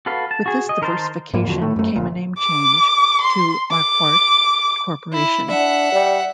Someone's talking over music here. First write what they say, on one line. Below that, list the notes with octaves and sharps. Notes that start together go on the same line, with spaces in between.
With this diversification came a name change, to Marquardt Corporation.
F#4 A4 B4 F5
A5
F#4 G#4
D#5
D#3 A#4 C5 A5 C6
G#2 A#3
E2 D3 F3 F#3
A2 A3
F#2 A3
G1 A#2
D6
C6
D6
E4
D4 E5 F#5
G3